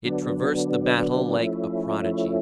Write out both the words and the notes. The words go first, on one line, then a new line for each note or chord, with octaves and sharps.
It traversed the battle like a prodigy.
D3 F#3 B3 D4
F3 A3 C#4 E4